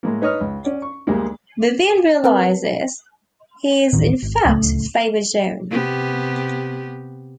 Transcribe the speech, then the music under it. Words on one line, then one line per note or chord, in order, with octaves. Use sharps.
Vivian realizes he is in fact Faber John.
A2 G#3 A#3
D#4 B4 C#5 D#5 D#6 F6
C#2
C#4 D5
C#6
D2 G3 G#3 A#3
C4 A#4 B4 A5
D1 A1 D#3
G#1
D1 C#2 C3 A3
C3 B3 G4